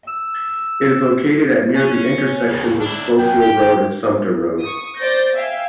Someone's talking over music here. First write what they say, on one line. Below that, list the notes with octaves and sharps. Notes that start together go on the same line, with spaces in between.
It is located at near the intersections of Scofield Road and Sumpter Road.
E6
C#4
D#2 C#3
D4 E4
F#2 G5
G4
C#6 D#6
C5 D5 G6 A6 A#6
E5 F5 G5 G#5 E6